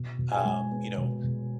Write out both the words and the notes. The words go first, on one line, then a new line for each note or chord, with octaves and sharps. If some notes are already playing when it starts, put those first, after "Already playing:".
Um, you know,
Already playing: B2
B2
G#5
G#3
B3
B2
B2